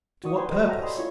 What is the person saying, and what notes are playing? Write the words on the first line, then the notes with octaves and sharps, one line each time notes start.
To what purpose?
F#4 D5 C#6 D#6
A#4 B4 G5 G#5 C6
G4 A#4 C5 D#5
F#4 A4 C#5 E5 G5 A#5
D5 D#5 G5 G#5 B5 C6
E4 F4 C#5 C#6